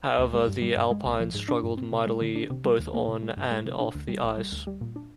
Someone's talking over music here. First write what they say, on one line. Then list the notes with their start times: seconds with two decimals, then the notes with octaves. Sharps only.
However, the Alpines struggled mightily both on and off the ice.
0.18 D2
0.33 G#3
0.48 G2
0.62 G3
0.77 G2
0.91 G#3
1.05 C2
1.20 F3
1.34 G#2
1.48 D4
1.63 G2
1.77 C4
1.92 C3
2.07 G#3
2.21 D3
2.36 D4
2.50 C3
2.65 G3
2.79 D#2
2.94 A#3
3.08 C3
3.22 G#3
3.37 G2
3.51 G#3
3.66 C3
3.80 D4
3.95 D2
4.09 G3
4.23 A#1
4.38 G3
4.52 D2
4.67 G3
4.81 A#2
4.96 D4